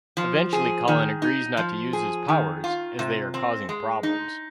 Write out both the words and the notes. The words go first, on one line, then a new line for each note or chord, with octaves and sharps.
Eventually Colin agrees not to use his powers, as they are causing problems.
F3
G#4
D#3
D#4
F3
G#4
D#3
F4
C3
C4
G#3
D#4